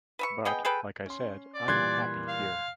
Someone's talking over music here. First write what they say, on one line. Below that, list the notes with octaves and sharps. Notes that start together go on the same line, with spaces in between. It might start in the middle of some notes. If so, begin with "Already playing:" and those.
But like I said, I am happy here.
B4 E5 C#6
B3 G#4 D#5 G5
G#4 A4 B4 G5
C#4 C6
D5
A#2 E3 G3 C6 F#6 G#6
F5